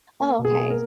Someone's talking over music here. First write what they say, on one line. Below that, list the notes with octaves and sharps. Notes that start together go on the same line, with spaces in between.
Oh, okay.
A#3
B2
G#4
A#3
A#4